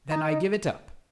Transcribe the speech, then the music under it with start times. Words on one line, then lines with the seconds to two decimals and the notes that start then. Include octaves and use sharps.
"Then I give it up."
0.11 D#4